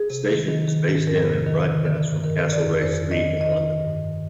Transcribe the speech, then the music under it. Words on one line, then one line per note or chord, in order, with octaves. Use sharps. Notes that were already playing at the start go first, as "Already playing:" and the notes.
The station was based in and broadcast from Castlereagh Street in London.
Already playing: G#4
C3
D#3
D#3
D#3
G#2
F2 A#4
C3
D#3
D3
D3
G2
D#3 A#4
D#3
D5
F2
F2 C5
C3
D#5
D#3
D#3 D#5
D#3
G2
D#3